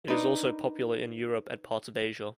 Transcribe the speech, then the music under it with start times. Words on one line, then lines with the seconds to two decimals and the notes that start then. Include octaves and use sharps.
It is also popular in Europe and parts of Asia.
0.08 D4 D#4 A#4 B4